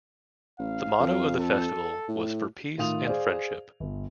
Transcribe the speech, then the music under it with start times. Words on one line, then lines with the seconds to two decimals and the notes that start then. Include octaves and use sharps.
The motto of the festival was For Peace and Friendship.
0.59 A1 F5
1.00 F2
1.40 A4
2.08 A2
2.78 A2 D#3 F4 D#6 F7
3.05 G#4 C5 D5 F5
3.80 G1